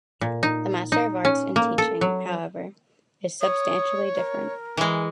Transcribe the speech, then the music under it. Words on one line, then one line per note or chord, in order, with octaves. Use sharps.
The Master of Arts in Teaching, however, is substantially different.
A#2
D#4
D#4
C#4
A#3
A4
F#3
C#5 D#6
A#4
E3 G#3